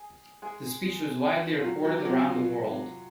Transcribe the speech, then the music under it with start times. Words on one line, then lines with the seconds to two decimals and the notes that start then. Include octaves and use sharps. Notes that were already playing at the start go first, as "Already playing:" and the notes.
The speech was widely reported around the world.
Already playing: G#4
0.42 G#3 G#4
1.59 F4
1.64 F#3 F#4
1.85 F#3 F#4
1.98 G4
2.05 F#3 F#4
2.26 F4